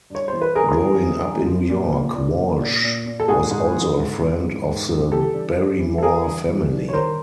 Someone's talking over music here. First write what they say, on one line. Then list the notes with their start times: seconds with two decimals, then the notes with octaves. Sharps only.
Growing up in New York, Walsh was also a friend of the Barrymore family.
0.10 G2 C#5
0.28 C5
0.33 E3
0.42 B4
0.55 G2 G#4 A#4
0.77 E3
1.00 E3
1.24 G2
1.46 F3
1.69 A#2
1.91 A#2
2.14 A#2
2.38 A#2
2.60 A#2
2.83 A#2
3.06 A#2
3.20 A4
3.28 G#2 F#4 G#4
3.51 G#2
3.75 E3
3.97 G#2
4.20 E3
4.43 G#2
4.66 G#2
4.89 G#2
5.12 E3 G4 A4
5.33 G2
5.57 G2
5.79 E3
5.98 A4
6.02 E3 G#4 A#4
6.26 G2
6.49 E3
6.71 G2
6.88 C#5
6.93 D#3 A#4 C5